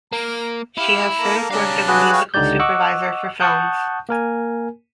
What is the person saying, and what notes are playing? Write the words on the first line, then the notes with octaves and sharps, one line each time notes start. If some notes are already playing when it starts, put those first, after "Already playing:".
She has since worked as a musical supervisor for films.
A#3 A#5
E4 G4 F5
A#3 A4 A#5
G3 D4 C#5 F5 A5
F#4 G#4 B4
C#5 F5 G5
C#2 D3 D#4 G4 D5 G6
D#5 F#5 C#6 D6 E6 F#6
F#5 A5 C#6 D#6 F#6 G6
A#3 A#4 G#5